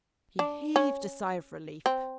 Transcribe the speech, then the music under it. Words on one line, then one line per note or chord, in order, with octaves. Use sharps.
She heaved a sigh of relief.
D4
C#4
C4